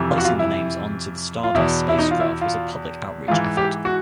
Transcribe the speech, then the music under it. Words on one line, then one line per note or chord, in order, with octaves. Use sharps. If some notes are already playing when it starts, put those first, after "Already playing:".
Placing the names onto the Stardust spacecraft was a public outreach effort.
Already playing: F2 C3 E3
F4
F#4
F4
E4
F4
E2 B2 E4
E4
D#4
F4
E4
F4
G#2 E3 F4
G4
F#4